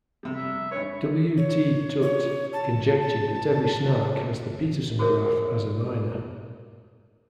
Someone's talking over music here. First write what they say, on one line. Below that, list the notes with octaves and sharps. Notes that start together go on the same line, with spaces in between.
W. T. Tutte conjectured that every snark has the Petersen graph as a minor.
C3 G3
E5
G#1 G2 B4 C#5
C#5
C#5
A5
A5
F#4 G#4 A#4 C5 C#5 E5